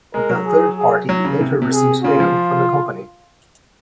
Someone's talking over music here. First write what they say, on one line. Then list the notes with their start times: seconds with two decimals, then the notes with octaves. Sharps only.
The third party later receives payment from the company.
0.14 G#3 A#4
0.30 F#3
0.46 G#4
0.77 G#4
1.09 F#3
1.25 C#3
1.41 C3
1.62 C3
1.73 G#4
2.04 C#3 F4
2.20 F3